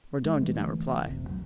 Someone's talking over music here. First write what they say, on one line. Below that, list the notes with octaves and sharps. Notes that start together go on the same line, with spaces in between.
Mordaunt did not reply.
G#3
D3 E3 A3
F1 A#1 C3
E1 D3 F#3